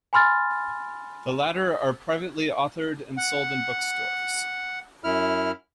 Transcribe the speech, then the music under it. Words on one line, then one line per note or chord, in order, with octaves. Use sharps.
The latter are privately authored and sold in bookstores.
G#5 B5 C6 F6 A6
F#5
F#2 E4 F6